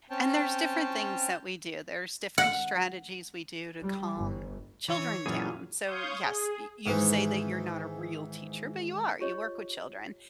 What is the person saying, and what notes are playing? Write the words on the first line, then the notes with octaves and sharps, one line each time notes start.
and there's different things that we do. There's different strategies we do to calm children down. So, yes, y you say that you're not a real teacher, but you are, you work with children.
C4 C#4 C#5 G5 A5
F#5
G3
G1
E3 C#5
F#2 A#2 E3 F4 G#4
C#5 F5 C6 C#6 D#6 G6
G#4
G#2 D#3 E3 G#3
F4 G4 C#5 D#5